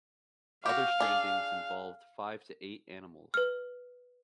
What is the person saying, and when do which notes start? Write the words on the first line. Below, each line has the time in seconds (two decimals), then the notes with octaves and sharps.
Other strandings involved five to eight animals.
0.66 F#4 G4 F5
1.00 D4 G#4
3.34 B4 F6